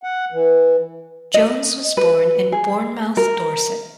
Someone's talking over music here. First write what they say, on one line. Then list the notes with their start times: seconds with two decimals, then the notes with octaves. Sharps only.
Jones was born in Bournemouth, Dorset.
0.03 F#5
0.32 E3
1.34 D#5
1.97 B4
2.52 G#4
3.17 A#4